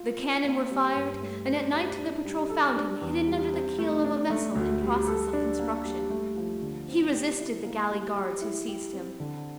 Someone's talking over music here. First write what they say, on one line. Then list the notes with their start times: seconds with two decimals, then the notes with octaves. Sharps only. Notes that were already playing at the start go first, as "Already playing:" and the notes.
The cannon were fired, and at night the patrol found him hidden under the keel of a vessel in process of construction; he resisted the galley guards who seized him.
Already playing: F4
0.19 C4
0.44 A#3
0.71 G3
0.95 G2
1.21 A3
1.47 C5
1.73 G4
1.99 D4
2.25 G3
2.50 A4
2.76 D4
3.01 E2
3.27 G3
3.53 C4
3.78 A3
4.04 D4
4.30 A3
4.55 D2
4.82 G3
5.07 A4
5.33 D4
5.59 A#3
5.85 G3
6.10 A3
6.36 F3
6.62 D3
6.88 C4
7.13 G4
7.39 E4
7.64 A#3
7.91 G3
8.16 G4
8.42 E4
8.68 G4
8.93 C4
9.20 D3